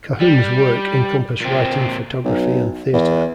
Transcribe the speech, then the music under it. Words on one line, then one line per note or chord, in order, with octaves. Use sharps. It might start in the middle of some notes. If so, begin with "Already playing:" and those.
Cahun's work encompassed writing, photography, and theater.
G3
A#2 C4
B1
E2